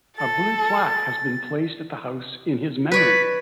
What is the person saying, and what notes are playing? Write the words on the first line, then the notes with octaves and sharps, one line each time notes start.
A blue plaque has been placed at the house in his memory.
A4 A6
B4 C#5 D5 B6